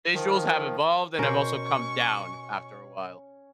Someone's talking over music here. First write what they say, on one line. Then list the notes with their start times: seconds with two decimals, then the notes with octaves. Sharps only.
Visuals have evolved and have also come down after a while.
0.14 D#3 F3
1.19 B2 C#4 A#4 C5 C#6